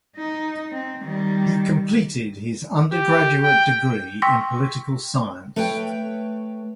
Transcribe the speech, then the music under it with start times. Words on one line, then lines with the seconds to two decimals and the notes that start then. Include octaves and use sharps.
He completed his undergraduate degree in political science.
0.17 D#4
0.72 C4
1.02 D#3 G3
2.92 G4
3.43 G5
4.22 G5 C6 C#6 E6 A#6 B6
5.56 A3 B4 C#5 G5